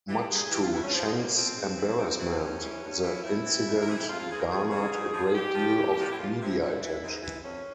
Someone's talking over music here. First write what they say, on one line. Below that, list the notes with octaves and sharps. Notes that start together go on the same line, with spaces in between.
Much to Cheng's embarrassment, the incident garnered a great deal of media attention.
E3 G4
G2 G#4
G#4
E3 G4
F4
G2 E4
C#4
F3 C4
G#3
G2 A#3
F3 C4
G#2
E3
G#2
E3
G2 C#4
E3
G2
E3
F2 E4
C3 E3
F2
A#4
C3 E3 G#4
G4
F2 F4
F4
C#3 E3 G#4
A#4
F2 G#4
C#3 E3
G#2
F3
G#2 G4
F3
E2
C3 F3
E4
E2 F4
C3 F3 E4
G#2
E3
G#2
E3
F2 C#4